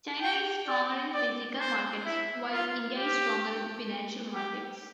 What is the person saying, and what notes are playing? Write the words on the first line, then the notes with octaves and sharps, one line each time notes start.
China is stronger in physical markets while India is stronger in financial markets.
G5
D5
D5
C5
E4
F4
G4
G4